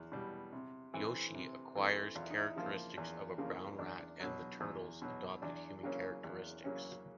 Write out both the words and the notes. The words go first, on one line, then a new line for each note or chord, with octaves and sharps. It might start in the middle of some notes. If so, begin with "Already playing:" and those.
Yoshi acquires characteristics of a brown rat and the turtles adopt human characteristics.
Already playing: E2
B2 G3
C3
E3 A3 C4
C3
E3 A3 C4
E2 F4
E4
D#4
E4
C#3 F3 A#3
E2
C#3 F3 A#3
E2 D4
B2 F#3
E2
B2 F#3
E2 D4
C#3 F#3 A#3 C#4
E2
C#3 F#3 A#3 C#4